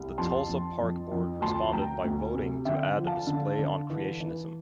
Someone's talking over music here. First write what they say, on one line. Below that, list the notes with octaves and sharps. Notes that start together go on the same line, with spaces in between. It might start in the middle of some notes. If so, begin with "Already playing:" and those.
The Tulsa Park Board responded by voting to add a display on Creationism.
Already playing: C2
F2 A5 C6
F2
F2
F2
D2 A5 C6
D2 G5 A#5
D2
C3
D3 E5 G5
F3
F5 A5
D3
D3
E3
E3